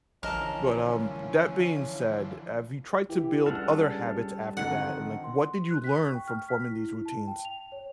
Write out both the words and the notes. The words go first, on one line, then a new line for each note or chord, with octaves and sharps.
But, um, that being said, have you tried to build other habits after that? And, like, what did you learn from forming these routines?
A#1 D3 E3 F3 C#4 A#4 D#5 A5
E3 G4
C#2 G3 D4 A4 F#5 F6
F2 D3 D#3 F#5
C6
F#6
B6
C#6
G5
F6
B6
E4
A5
G5
F7
C#5